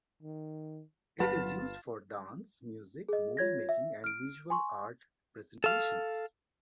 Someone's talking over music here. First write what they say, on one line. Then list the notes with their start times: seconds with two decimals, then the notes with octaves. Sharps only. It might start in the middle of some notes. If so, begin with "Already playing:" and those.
It is used for dance, music, movie-making and visual-art presentations.
0.23 D#3
1.20 G1 F#3 F4 B4 F#5 A5
3.09 G#4 D#5
3.37 F4 C#5 G#6 A#6
3.69 E5
4.04 F6 D7
4.50 G#5 C6 C#6
5.64 A4 F5